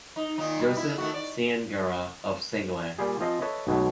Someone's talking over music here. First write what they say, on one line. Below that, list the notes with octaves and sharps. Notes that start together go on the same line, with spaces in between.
Joseph Ciangura of Senglea.
D#4
A#2 D#3 D#4
G3
E4
D#3 A3 F#4
D5
A#2 G3 F4 G4 G#4
F3 C4 F4 G#4 D#5
A4 B4 C#5 D#5 E5
B1 B2 F#3 G#3 A3